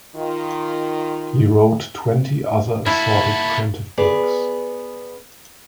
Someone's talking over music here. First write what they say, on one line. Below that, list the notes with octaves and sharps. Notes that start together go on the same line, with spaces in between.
He wrote twenty other assorted printed works.
D#3 F4
A#3 E4 F#4 A5 B5
B3 G#4 D5